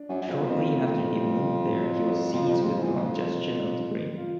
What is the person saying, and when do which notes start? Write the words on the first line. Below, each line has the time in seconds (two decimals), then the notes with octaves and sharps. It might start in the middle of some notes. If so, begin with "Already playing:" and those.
Shortly after he moved there, he was seized with congestion of the brain.
Already playing: D4
0.09 F#2 C#4
0.22 F#2
0.29 F2 C4
0.40 B3
0.50 F2 A#3
0.70 A3
0.90 A3
1.10 G3
1.72 F#3
2.33 F2 F3
2.48 F2 G3
2.63 F2 G#3
2.79 E2 C4
2.95 F2 C4
4.17 F4